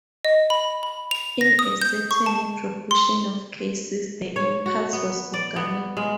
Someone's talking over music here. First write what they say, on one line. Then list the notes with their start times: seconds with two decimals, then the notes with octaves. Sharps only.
In a certain proportion of cases the impulse was organic.
0.25 D#5
0.50 B5
0.83 B5
1.11 F7
1.41 A#6
1.59 D#6
1.82 G6
2.11 C#6
2.26 A5
2.91 C6
4.36 C#5
4.66 F#4
4.93 B3
5.34 D5
5.56 B3
5.97 G#3